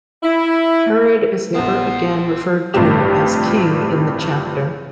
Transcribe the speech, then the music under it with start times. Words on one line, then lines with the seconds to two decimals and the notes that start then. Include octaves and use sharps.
Herod is never again referred to as king in the chapter.
0.23 E4
1.55 A#1 B3 C4 F4 A#4
2.74 A1 G2 C3 F3 G4